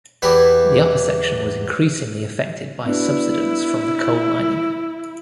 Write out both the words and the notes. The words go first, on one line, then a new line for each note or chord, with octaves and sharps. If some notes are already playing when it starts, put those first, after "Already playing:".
The upper section was increasingly affected by subsidence from the coal mining.
E2 E3 E4 G4
B3 D4 E4 F#4